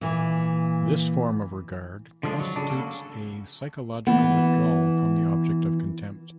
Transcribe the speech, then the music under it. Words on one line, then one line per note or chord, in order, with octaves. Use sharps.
This form of regard constitutes a psychological withdrawal from the object of contempt.
A#2 E3
D3 F3 G#3 D4
F#3
C#3 D4
C#3 A#3 F#4 A4
E3 B3